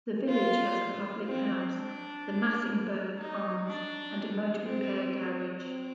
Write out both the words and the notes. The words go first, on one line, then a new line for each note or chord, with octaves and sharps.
The village has a public house, the Massingberd Arms, and a motor repair garage.
F4
C4
D4
D#4
D4
C4
C4